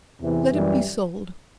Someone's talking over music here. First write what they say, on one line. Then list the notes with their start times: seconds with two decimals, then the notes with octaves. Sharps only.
Let it be sold.'
0.21 E2 C3 E3
0.52 F#2 E3 G3